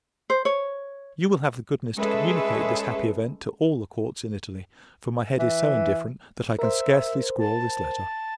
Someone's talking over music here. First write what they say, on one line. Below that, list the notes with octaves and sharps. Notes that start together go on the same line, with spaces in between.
You will have the goodness to communicate this happy event to all the courts in Italy; for my head is so indifferent, that I can scarcely scrawl this letter.
C5
C#5
G#3 C#4 G#4 A4 B4 E5
E3
A#4 C5 E5
A5